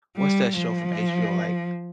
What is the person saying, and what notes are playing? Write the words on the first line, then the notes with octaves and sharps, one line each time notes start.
what's that show from HBO, like
G3
F3